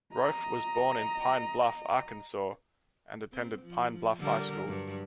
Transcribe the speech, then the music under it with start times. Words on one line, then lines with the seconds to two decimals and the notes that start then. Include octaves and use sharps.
Roaf was born in Pine Bluff, Arkansas and attended Pine Bluff High School.
0.13 D#5 A#5
3.32 C4
3.62 F3
4.19 D3 G3 A#4
4.65 G2 F#3